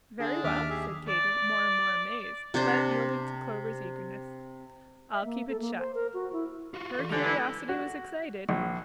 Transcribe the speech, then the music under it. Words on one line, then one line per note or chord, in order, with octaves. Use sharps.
"Very well," said Katy, more and more amazed, but yielding to Clover's eagerness, "I'll keep it shut." Her curiosity was excited.
D3 D4 G#4
D#2 E5 D6 F6
G4 G#4 E5
D5
C3 D4 C5
E5
A#3
A4
A#3
C5
A#4
F#4
E4
F4 F#4
E3 A4
D3 G#3 G4 A4 C5 G#5
E4 B4
F#4
A#1